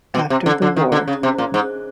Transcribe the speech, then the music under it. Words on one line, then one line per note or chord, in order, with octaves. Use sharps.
After the war.
B2
C3
D3
D3
D#3
D3
C#3
C3
A#2
G#2